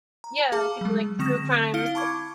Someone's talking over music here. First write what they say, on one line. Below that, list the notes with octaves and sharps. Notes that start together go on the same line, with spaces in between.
Yeah, it could be like True Crimes,
A#5
G#4 F5 A5 D6 F6
F#3 G#3
D3 C4 C#6 D#6 A#6 E7
E4 F5 F6 C#7 D7 G7
A5 B5 C#6 D6 G#6